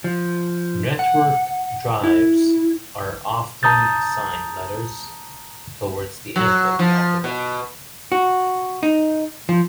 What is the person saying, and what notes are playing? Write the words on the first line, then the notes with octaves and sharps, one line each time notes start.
Network drives are often assigned letters towards the end of the alphabet.
F3
F#5
E4
A5 A#5 D#6 G6 A6
F#3
F3
B2
F#4
D#4
F3